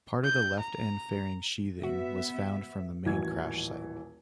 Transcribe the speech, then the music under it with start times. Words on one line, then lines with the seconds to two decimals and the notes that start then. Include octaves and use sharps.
Part of the left end fairing sheathing was found from the main crash site.
0.24 G6
0.59 A#5
1.83 B3 F#4 E5
3.05 D#1 A1 E3 F#4 G#6